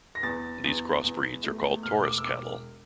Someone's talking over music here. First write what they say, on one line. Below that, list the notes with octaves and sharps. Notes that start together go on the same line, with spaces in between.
These crossbreeds are called Taurus cattle.
A#6
E2 A6
E2
E2
A3
E1 F6
D6
E6
E1 D6